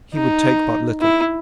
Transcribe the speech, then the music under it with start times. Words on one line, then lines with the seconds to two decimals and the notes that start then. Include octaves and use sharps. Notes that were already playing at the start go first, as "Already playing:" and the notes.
He would take but little.
0.14 D#4
1.01 E4